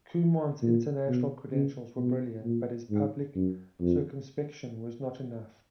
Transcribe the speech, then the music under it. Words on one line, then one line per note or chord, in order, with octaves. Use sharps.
Cumont's international credentials were brilliant, but his public circumspection was not enough.
A#2
B2
C#3
B2
A#2
G#2
F#2
F2